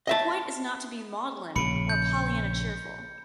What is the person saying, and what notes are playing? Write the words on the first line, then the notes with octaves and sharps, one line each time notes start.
The point is not to be maudlin or Pollyanna cheerful.
D#5 E5 A5
A#1 C#3 B5 C#7
G6